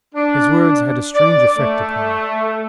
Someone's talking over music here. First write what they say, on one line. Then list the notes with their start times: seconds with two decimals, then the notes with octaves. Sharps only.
His words had a strange effect upon me.
0.15 D4
1.15 D5
1.58 A3